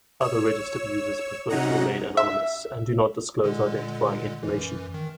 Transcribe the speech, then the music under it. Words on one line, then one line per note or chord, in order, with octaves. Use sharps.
Other registered users prefer to remain anonymous, and do not disclose identifying information.
C#5 E6
C3 F#3 C#4 D#4 F#5 A#5
E5
A#2 D3 G#3
F#2 E3
D#3